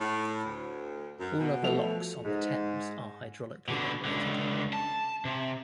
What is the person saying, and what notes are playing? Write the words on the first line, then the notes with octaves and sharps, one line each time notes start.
All other locks on the Thames are hydraulically operated.
A2
D2
F#2
B2
F3 A3 F7
G#2
B2 D3
C#2 D3
A5
C3